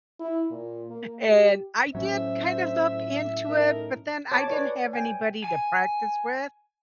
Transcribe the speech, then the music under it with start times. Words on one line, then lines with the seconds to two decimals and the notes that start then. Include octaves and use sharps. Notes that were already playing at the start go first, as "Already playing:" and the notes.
and I did kind of look into it, but then I didn't have anybody to practice with,
0.20 E4
0.51 A#2
0.90 A#3
1.27 G4
1.95 A2 F#3 C#4 C5 E5
3.48 A3 D#4 A#4
4.32 C#5 A5 D6
4.48 B4 C#5 D5
4.93 G5 G#5
5.44 G#5